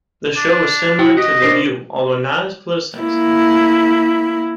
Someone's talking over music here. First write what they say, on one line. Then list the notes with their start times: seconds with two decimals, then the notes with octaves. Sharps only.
The show is similar to "The View" although not as politicized.
0.37 D4
0.99 E4 F#4 G5
1.17 F#4 G4 D#5
1.42 D4 A#4 C5
2.97 A#3 E4